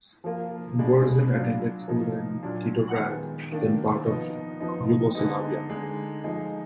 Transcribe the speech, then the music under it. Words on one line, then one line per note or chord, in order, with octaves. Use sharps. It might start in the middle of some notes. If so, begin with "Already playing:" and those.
Burzan attended school in Titograd, then part of Yugoslavia.
F3 A#3 F4
B2 G#3 D4
F#3 D4 F4
F3 A#3 D#4
A#2 F#3 D4
D#3 G#3 B3
D#3 A#3 D4
F3 B3 D#4
F3 B3 D#4
D3 G#3 B3 D#4
D3 G#3 D#4
F3 G#3 D#4